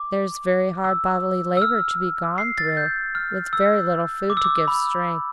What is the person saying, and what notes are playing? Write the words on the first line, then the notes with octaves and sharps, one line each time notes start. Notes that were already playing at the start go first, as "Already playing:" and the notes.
There is very hard bodily labour to be gone through, with very little food to give strength.'
Already playing: D6
E6
E6
F6
C7
A6
G6
F6
E6
D6
E6
D6
B5